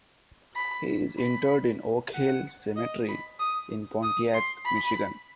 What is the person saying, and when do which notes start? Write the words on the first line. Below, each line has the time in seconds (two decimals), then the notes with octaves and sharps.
He is interred in Oak Hill Cemetery, in Pontiac, Michigan.
0.56 B5
1.19 B5
2.14 F#5
2.76 D#5
3.08 B5
3.39 D#6
4.03 D#6
4.34 C6
4.66 B5